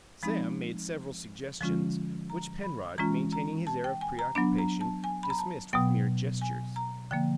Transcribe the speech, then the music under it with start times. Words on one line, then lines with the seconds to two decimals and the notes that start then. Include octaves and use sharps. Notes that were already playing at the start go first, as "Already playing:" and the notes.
Sam made several suggestions, which Penrod--maintaining his air of preoccupation--dismissed with mere gestures.
0.23 F3 G#3 C4 D#4 B5
1.61 D3 F3 G#3 C#4 F4
2.30 A#5
2.63 B5
2.98 E3 G#3 C#4 F4 A#5
3.33 A#5
3.67 A5
3.84 G5
4.01 G#5
4.19 A#5
4.35 F#3 B3 D4 B5
4.58 A#5
4.81 A5
5.04 G#5
5.23 B5
5.30 A#5
5.39 A5
5.73 B2 F#3 B3 G5
6.42 G#5
6.76 A#5
7.11 D3 F3 A#3 G5